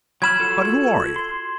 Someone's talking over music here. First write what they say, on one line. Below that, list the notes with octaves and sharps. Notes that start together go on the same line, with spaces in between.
"But who are you?"
F#3 B5 F6 G#6 E7 F#7
F4 F#4 A4
C6